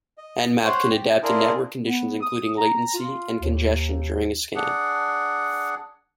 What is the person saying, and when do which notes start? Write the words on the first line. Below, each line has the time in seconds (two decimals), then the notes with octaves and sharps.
Nmap can adapt to network conditions including latency and congestion during a scan.
0.18 D#5
0.64 C5 C#5 F#5
0.89 G4
1.23 D4 E4 F4 G#4 A#4
1.86 B3
2.21 D#6
2.57 A#5
2.94 F4
3.42 D#2
4.55 D4 G#4 F#5